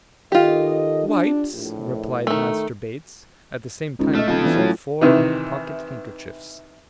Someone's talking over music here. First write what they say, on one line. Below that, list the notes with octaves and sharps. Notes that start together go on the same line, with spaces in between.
'Wipes,' replied Master Bates; at the same time producing four pocket-handkerchiefs.
D#3 F4 G4 A4 D#5
D4
A#1 A2
D#3 A3
C#2 D#4
A3 D#5 F6
D#1 F4 A4
E3 B3 D4
A2 F#3 C#4
C3 D#3 E3